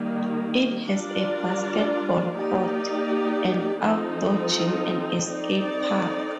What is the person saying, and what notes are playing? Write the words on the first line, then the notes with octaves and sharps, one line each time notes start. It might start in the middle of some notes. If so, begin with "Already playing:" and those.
It has a basketball court, an outdoor gym and a skate park.
Already playing: D#3 G3 A#3
G3 D4 F4 A#4 D5
A#3 D#4 G4 D5
F3 C4 D#4 A4
C4 D#4 A4 D5